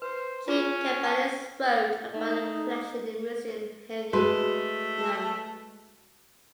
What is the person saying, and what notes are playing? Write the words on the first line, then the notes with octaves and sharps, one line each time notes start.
Jean Cabanis wrote about the collection in Museum Heineanum.
B4 C5
C#4 F4 G#4
G5 A5 C#6
A3 D#4
D#4
G#3 A3 F#4 B4